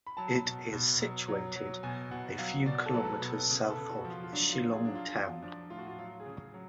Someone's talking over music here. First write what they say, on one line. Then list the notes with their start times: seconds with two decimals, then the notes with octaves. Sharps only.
It is situated a few kilometers south of Shillong town.
0.07 B5
0.17 F#3 A5
0.45 B2
0.73 B2
1.00 F#3
1.28 F#3
1.56 F#3
1.83 B2 G#5
2.11 B2 F#5
2.39 F#3 F5
2.66 B2 D5
2.86 A4
2.94 F#3 B4
3.21 B2 A4
3.50 C#3
3.64 B4
3.70 A4
3.77 C#3
3.91 F#4
4.05 F3
4.11 F4
4.24 F4
4.33 F#3 D4
4.53 F4
4.60 F#3
4.73 G#4
4.85 F#3 D4
4.95 F4
5.15 F3 F4
5.42 F3 D4
5.70 A2 F4
5.79 F#4
5.87 F4
5.98 F#3 F4
6.20 G#4
6.26 C#3
6.54 F#3